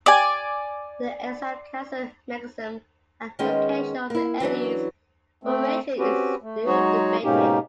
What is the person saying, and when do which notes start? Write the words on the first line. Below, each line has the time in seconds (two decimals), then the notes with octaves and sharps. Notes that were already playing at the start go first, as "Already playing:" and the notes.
The exact causal mechanism, and location of the eddies formation is still debated.
0.06 D5 G#5
3.39 D#3 G#3 B3 C#4 G#4 C5
4.10 A#3 E4
4.40 E3 F#3 C#4 D4
5.43 A3 C4
5.99 C4 C#4 F#4 G4 B4
6.42 A3
6.66 F#3 G#3 D#4 F#4 G#4 C#5
7.24 G#2 B2 A#3 C#4 D#4 G4